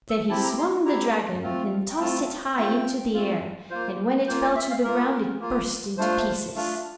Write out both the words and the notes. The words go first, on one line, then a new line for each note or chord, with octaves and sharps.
Then he swung the dragon, and tossed it high into the air, and when it fell to the ground it burst into pieces.
E6
C4 E4 G4 A5
A#5
C6
C4 E4 G4 A#5
A3 C4 F4
G5
A3 C4 F4 A5
A3 C4 F4 G5
A3 C4 F4
A#3 F4 C5
A#3 F4 C5
D5
E5
F5
A#3 F4 A#4
A#3 F4
A3 D4 F4 C5
A3 D4 F4